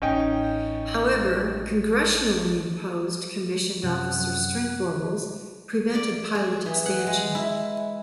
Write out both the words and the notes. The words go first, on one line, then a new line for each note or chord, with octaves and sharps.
However, congressionally-imposed commissioned officer strength levels prevented pilot expansion.
A1 C#4 D#4 G5
F#2 C3 F#5
D5
G#4
E3
F#5
G#3
E4